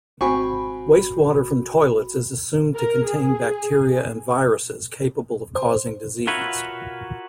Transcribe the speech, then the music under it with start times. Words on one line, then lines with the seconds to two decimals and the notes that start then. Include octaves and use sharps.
Wastewater from toilets is assumed to contain bacteria and viruses capable of causing disease.
0.21 G#1 C4 F#4 G#5 B5 C#6
2.76 A#4
3.06 G#4
5.55 C5
6.27 F4 F#4 A#4 B4 C#5 E5